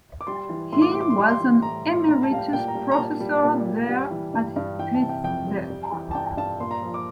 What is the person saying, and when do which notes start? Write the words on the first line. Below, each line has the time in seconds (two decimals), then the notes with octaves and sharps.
He was an emeritus professor there at this death.
0.21 D6
0.27 G3 C6
0.49 E3
0.73 A2 C6
0.82 D6
0.92 A2 C6
1.01 D6
1.10 C6
1.17 G3 D6
1.29 C6
1.40 E3
1.62 A2 A#5
1.85 A2
1.93 C6
2.07 A#2 A#5
2.23 A5
2.31 G3 F5
2.38 G5
2.53 A#2 G5
2.68 A#5
2.75 G3
2.91 A#5
2.98 A#2 A5
3.20 G3
3.44 A#2
3.66 G3
3.89 G3
4.11 E3
4.33 G2
4.56 G2
4.79 E3 G5
4.94 A5
5.02 C3
5.09 G5
5.24 F2 G5
5.47 G3
5.70 G3
5.92 E3
6.11 A5
6.14 G2 G5
6.37 G2 A5
6.60 A#2 C6
6.71 A#5
6.82 F3
6.94 D6